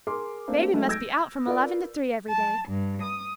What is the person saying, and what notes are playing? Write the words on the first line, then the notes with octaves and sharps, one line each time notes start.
Baby must be out from eleven to three every day.
G#4 A#4 C6 D6
A3 A#3 C4 D4
F#3 G#3 A3 B3 D#4
E6 G6 G#6 A#6 D7
F4 A#4 B4 D5
A5
G2
D#6